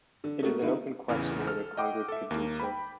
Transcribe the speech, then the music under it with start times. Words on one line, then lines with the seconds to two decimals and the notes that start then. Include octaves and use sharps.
It is an open question whether Congress could do so.
0.24 D3
0.42 G#3 A3 F#4 A#4
0.62 D3 D#4 E4
1.08 A1 E2 C#3 E3 F6
1.47 A4 F6
1.77 D#5 F#5 G5 D6
2.08 A4 E5
2.30 D#2 A#3
2.60 G5 B5